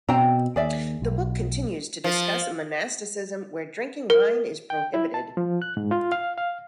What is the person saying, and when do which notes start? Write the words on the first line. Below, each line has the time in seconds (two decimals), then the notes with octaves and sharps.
The book continues to discuss monasticism where drinking wine is prohibited.
0.09 B2 C4 G5 A#5
0.56 D#2 G#4 D5 E5
1.02 B1
2.04 F3
4.10 A#4
4.70 G5
4.94 E4
5.14 A5
5.37 F3
5.62 F#6
5.77 G#2
5.91 F4
6.12 F5
6.38 F5